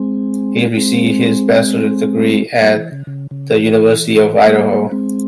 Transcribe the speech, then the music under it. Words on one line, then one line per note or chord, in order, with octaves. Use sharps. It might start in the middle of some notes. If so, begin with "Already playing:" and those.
He received his Bachelor's degree at the University of Idaho.
Already playing: G#3 C4
G#3 C4
G3 A#3
E3
C#3
C#3
C#3
E3
G3 A#3
G#3 C4